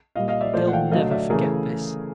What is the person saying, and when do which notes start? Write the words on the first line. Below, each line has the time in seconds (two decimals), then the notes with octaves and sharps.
But they'll never forget this.
0.16 A#2 G3 D#5 F5
0.28 D#5 F5
0.41 D5 E5
0.53 A#2 F3 A3 C5 D5
0.68 F#5
0.73 F5 G5
0.91 D3 F#3 A3 D#5 F5
1.11 D5 E5
1.30 C#3 E3 A3 G#4 A#4